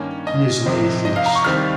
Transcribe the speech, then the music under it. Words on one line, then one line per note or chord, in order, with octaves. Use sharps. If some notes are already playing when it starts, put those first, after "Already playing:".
He is an atheist.
Already playing: G2 D#3 A#3 C#4
D#5
F2 C3 F3 C4 D#4
D#5
F5
A#5
C#6
D#2 D#3 G3 C4 F6